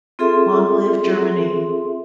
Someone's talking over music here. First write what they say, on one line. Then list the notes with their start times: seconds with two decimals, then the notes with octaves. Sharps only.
Long live Germany!
0.19 C4 F4 G#4 A4 E5 C6